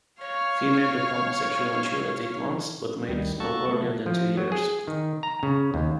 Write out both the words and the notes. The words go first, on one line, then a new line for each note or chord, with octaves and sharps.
Females become sexually mature at eight months, but mate no earlier than two years.
C#5 F5
D2 D#3 G3
A#3 F#4 A4 A5 C#6
C3 F#3 A3
F3
F#3
G#4
D#3
A#5
C#3
D#2